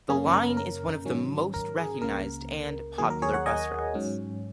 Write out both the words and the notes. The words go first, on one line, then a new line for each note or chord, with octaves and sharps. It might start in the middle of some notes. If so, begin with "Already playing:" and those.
The line is one of the most recognized and popular bus routes.
F#2 C#3 A#3 C#4 G#4
A#4
A#4
G#2 D#3 F#3 C#4
A#4
G#4
C#2 C#3 A#3 A#4
D#2 D#3 F#3 A#3 G#4
A#4
G#4 C#5
C#5 F#5
D#5 G#5
G#2 F#3 C#4